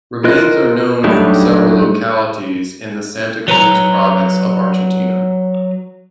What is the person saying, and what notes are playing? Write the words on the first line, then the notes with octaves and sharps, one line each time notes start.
Remains are known from several localities in the Santa Cruz Province, of Argentina.
F4 A#4 D#5 F#6
F#3 G3 A3 D4 D#4
F#3 B4 A#5